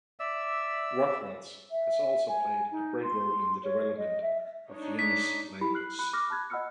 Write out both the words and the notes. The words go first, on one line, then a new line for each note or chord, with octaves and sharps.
"Rotwelsch" has also played a great role in the development of the Yeniche language.
D5 E5 E6
E5
G#5
D#4
C6
C#5
D#5
E5
D4 D#4 C#5
B6
E4 G4 B5
F6 F#6 C7 F#7
B5 F#6 C#7
D6 F6 A#6
A5 B5 F#6 G#6
D#5 F#5 B5 E6 F6 C#7